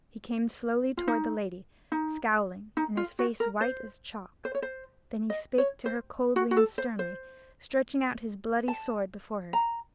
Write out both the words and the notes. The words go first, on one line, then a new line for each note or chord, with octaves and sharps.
He came slowly toward the Lady, scowling, and his face white as chalk; then he spake to her coldly and sternly, stretching out his bloody sword before her.
F4
D#4
D#4
D#4
F4
F#4
A#4
C5
C5
C#5
C5
D#5
C#5
C5
F#4
F#4
A4
C5
C5
A5
A#5